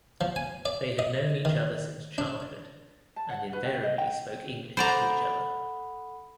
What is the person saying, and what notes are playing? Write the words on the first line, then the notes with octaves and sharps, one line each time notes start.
They had known each other since childhood, and invariably spoke English to each other.
F3
G#5
D5
D#5
D#3
D4
A5
F#5
B4
G4
D#5
G5
A4 C5 D5 F#5 A#5 B5